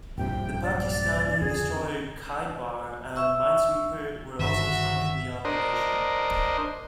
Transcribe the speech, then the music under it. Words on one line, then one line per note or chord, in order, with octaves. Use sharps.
The Pakistani destroyer "Khaibar" and minesweeper were also sunk in the operation.
A#1 G2 C3 G5
D5
F2 D3 G#4
E5 C#6 E6
G1 D#3 F#4 E5
D4 A#4 C5 D#5